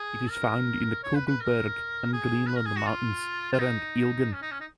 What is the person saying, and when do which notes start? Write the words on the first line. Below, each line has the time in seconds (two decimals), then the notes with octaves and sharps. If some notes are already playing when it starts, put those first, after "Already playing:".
It is found in the Kogelberg and Greenland mountains around Elgin.
Already playing: G#4
0.30 A#4
1.04 C#5
1.15 B4
1.27 B4
1.40 A#4
2.13 G#4
2.47 B4
2.56 A#4
2.66 G#4
2.76 F#4
2.86 F4
3.53 F4
3.59 D#4
4.33 C#4
4.42 D#4
4.51 C#4
4.60 D#4